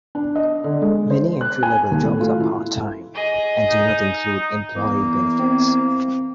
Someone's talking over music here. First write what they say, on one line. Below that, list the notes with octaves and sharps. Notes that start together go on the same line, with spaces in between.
Many entry-level jobs are part-time, and do not include employee benefits.
D4
D#5
D3
G#3
C5
F#6
G#5
D#2
A2
F4
E4
G#4 D#5
D#4
E2 A#3
C4